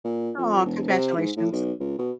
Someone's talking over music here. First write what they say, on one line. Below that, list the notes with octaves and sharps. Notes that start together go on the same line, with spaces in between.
Aw, congratulations.
A#2
F2
E1
C3
G#2
A2
B1
C#2
B2